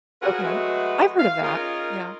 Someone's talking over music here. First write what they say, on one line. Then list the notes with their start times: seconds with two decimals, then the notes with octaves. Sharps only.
Okay. I've heard of that. Yeah.
0.21 C#4 F4 F#4 G#4 A#4 B4
0.43 F#3 G#3 A3 F#4 B4
1.19 F5
1.43 C#4 D#4 F4 G#4 A#4